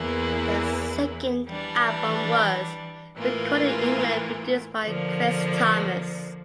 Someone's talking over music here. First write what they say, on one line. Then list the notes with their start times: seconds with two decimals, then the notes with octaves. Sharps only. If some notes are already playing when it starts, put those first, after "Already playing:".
Their second album was recorded in England, produced by Chris Thomas.
Already playing: E2 E3 A#3 E4
1.48 E3 G3 D4
3.17 A2 E3 A#3 F4
4.86 D3 F3 A#3